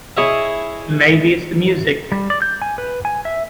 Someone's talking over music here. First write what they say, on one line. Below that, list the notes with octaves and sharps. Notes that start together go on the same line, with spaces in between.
Maybe it's the music.
E4 G#4 C#5 D#5 E5
G3
D5
G6
G#5
B4
G#5
E5